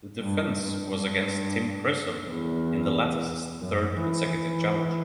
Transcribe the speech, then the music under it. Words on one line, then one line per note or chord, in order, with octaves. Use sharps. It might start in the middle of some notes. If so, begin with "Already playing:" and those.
The defence was against Tim Chisholm in the latter's third consecutive challenge.
G2
G2
E2
F#2
E3
E3